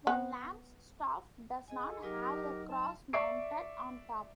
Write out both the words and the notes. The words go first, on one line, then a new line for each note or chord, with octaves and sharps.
The lamb's staff does not have the cross mounted on top.
B3
G#4 D#5 G#5
A4
F#3 D#4 G4 A#4 D#5
A5
D5 E5 C#6 D6 C7 D7